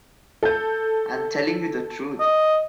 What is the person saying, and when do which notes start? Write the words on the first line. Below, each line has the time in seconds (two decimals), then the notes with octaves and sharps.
I am telling you the truth.
0.43 A4 G6
2.20 D#5